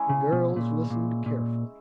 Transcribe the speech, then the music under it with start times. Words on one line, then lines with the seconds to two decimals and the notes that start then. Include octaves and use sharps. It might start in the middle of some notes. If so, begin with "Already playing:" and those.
The girls listened carefully.
Already playing: G#3 C#4 E4 G#4
0.09 C#3
0.32 B2
0.56 A#2
0.90 A#2
1.26 A#2